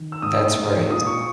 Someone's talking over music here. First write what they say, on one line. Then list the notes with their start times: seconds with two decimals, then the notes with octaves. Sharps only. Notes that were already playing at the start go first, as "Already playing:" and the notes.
That's right.
Already playing: D#3
0.12 E6
0.22 G#2 D#6
0.56 G#2
0.90 A#2 D#6
1.07 C#6